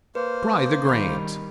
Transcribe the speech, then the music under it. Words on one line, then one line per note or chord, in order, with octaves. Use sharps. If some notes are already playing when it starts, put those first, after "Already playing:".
Dry the grains.
A#3 B4 C5
D#3 G3 B5